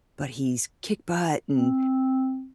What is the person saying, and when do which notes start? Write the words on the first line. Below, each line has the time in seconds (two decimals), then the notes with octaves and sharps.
but he's kick butt and,
1.53 C4